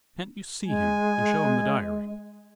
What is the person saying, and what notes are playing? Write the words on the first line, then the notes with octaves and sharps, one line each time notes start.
"Can't you see him and show him the diary?"
G#3 G#5